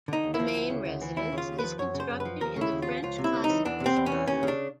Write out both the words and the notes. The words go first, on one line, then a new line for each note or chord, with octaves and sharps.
The main residence is constructed in the French classical style.
D3 D#4
D#2
E4
F3
D2
C#3
D2
E3
D#2 E4
C#3
F4
D#2
B4
F3
F#2 C#5
C#3
C5
F#2
B4
F3
D#2 A#4
C#3 E4
D#2
F3 F4
C#2 F4
C3
E4
C#2
D#4
E3
E2 D4
C3
C4
E2
C#4
E3
D#2 C#4
C#3
D4